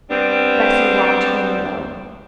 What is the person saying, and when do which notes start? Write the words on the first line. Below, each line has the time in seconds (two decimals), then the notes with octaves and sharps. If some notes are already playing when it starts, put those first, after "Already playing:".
Bessy walked home alone.
0.10 G3 B3 C4 D4